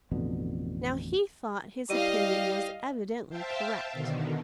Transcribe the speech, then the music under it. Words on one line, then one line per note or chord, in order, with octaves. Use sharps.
Now he thought his opinion was evidently correct.
A1 F2 B2 D3
G3 E4 D5 D#5 F5 D#7
C5 E5 F5 G5 A5
B2 D3 D#3